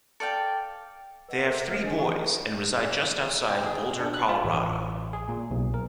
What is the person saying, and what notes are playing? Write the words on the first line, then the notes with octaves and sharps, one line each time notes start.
They have three boys and reside just outside Boulder, Colorado.
A4 D5 F5 G5
B4 D#5 F#5
A4 A#4 C5
A3 G#4 D#5
D4 D#5 G#5
E3 G#5 C#6
G5
G#4
D4
F#6
F4
A1
G#4
A#2
B1
A#4